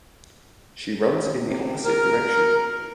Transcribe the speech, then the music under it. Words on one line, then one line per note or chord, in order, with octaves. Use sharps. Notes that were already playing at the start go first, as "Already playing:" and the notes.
She runs in the opposite direction.
C3
A#4